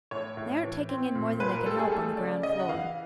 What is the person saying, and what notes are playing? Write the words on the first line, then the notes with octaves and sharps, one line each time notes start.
They aren't taking in more than they can help on the ground-floor.'
A2 C#5
A2
E3
C4
A#2
A#2 B4
A#4
G3 A4
G#4
A3 A4
C#3 D5
C#3 D#5
F#5
E3 F5